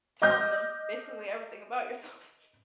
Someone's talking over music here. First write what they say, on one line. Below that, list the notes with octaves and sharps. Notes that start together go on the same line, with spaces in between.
telling them basically everything about yourself.
D#5 D6 F6 G6 A#6